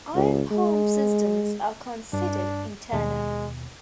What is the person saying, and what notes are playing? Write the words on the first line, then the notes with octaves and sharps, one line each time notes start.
Iron Palm systems are considered internal.
C#2
G#3
G2 D4
D#2 B2 G#3